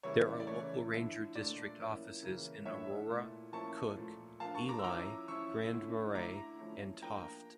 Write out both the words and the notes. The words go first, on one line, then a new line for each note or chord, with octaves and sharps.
There are local ranger district offices in Aurora, Cook, Ely, Grand Marais, and Tofte.
C#3 E3 G3 A#3 E4 C#5
D5
C#3 E3 A3 C#5
D3 F3 A3 E4
A#2 A3 D4 D5
F3 A#3 C#4 E4
C#3 E3 A#3 C#4
A2 F3 A3 D4 C#5 E5
A#2 A3 E4
F3 A#3 C#4 E4 A5 C#6
A#2 F3 A3
F3 A#3 D4 F5 A5
A5 C#6
A#5 D6
E6
F3 C#4 E4 A#5 D6
F3 C#4 E4 C#6 E6
D3 A3 C#4 E4
D3 A3 E4 A#5 D6
F3 A3 C#4 E4
F3 A#3 D4 G5 A#5